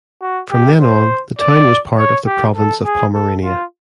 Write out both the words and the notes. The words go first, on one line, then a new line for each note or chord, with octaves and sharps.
From then on, the town was part of the Province of Pomerania.
F#4
G4
C5
D5
C#5
G4
A4
G#4
A4
F4